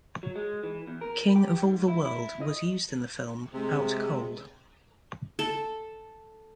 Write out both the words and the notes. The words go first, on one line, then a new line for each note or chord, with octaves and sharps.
"King of All the World" was used in the film "Out Cold".
F#3
G#3
E3
E2
A#4
G4
G#2
E4
E4
D#5
C3 G#3
A4